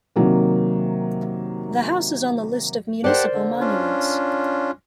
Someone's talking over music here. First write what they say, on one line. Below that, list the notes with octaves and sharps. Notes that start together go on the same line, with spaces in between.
The house is on the list of municipal monuments.
C3 D#3 F#3 A#3
G4 A#4 C5 D5 F#5 A5
D3
C#4 D4 F4